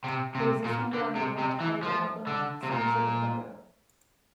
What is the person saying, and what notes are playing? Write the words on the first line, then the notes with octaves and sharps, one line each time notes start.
He was a singer on the Walt Kelly album "Songs of the Pogo".
C3
C3
A#2
D3
C3
C3
E3
F3
D3
C3
A#2